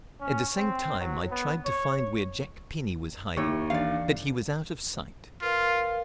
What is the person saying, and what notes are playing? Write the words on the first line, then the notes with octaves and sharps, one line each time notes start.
At the same time I tried to find where Jack Penny was hiding, but he was out of sight.
C#4
C4
F#3
B3
C#5
D#2 E4 C#5
E3 D4 D5 F5 C#7
F4 A#4 B4 F5